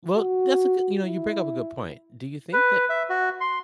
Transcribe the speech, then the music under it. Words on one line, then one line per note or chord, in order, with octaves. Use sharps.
Well, that's a g you know, you bring up a good point. Do you think that
F#4
E4
B4
E5
F#4
C6